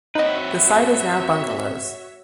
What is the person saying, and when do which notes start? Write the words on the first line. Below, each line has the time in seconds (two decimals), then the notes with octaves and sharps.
The site is now bungalows.
0.15 C4 D#4 F#4 B4 C#5 D#5 E5